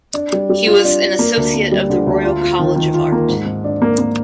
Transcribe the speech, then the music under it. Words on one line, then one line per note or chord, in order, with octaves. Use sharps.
He was an associate of the Royal College of Art.
D4
G3
G3
F4
D4
D4
A#3
D2
A#3
G3
D3
D2
F4
F4
D#3
D#3
F4
A#3
G#2
G#2
D4
A#3
A#3